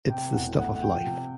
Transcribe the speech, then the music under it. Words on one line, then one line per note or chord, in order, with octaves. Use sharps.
It's the stuff of life.
C3 G5
E1 F#5
D2 F#5
F#5
F3 G5
C3